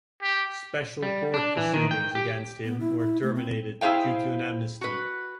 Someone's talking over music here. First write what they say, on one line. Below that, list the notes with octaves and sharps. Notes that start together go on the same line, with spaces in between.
Special court proceedings against him were terminated due to an amnesty.
G4
G3
D4
E3
D#3
G5
G4
B3
E4
E4
A3
C4
E4 G#4 C5 F5 G5
F#4 B4